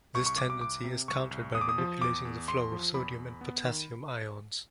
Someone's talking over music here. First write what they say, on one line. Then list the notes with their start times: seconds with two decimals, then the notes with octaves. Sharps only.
This tendency is countered by manipulating the flow of sodium and potassium ions.
0.14 C2 C#6
0.26 C#6
0.38 C2 D6
0.50 D6
0.61 C2 D6
0.84 C3
1.08 C2 C#6
1.31 C2
1.54 E2 D#6
1.61 D6
1.69 D#6
1.78 F3
2.02 E2 D6
2.25 E2
2.48 E2 C6
2.72 F3
2.94 E2 B5
3.18 E2
3.41 B3
3.65 D#3